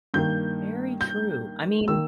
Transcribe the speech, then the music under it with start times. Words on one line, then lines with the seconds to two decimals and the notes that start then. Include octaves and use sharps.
Very true. I mean
0.14 G2 D#3 A#3 G6
1.01 G6
1.88 D#3 A#3 E6